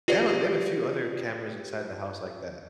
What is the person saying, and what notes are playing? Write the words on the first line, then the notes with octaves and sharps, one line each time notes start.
They have a they have a few other cameras inside the house like that,
F4 G4 B4 D5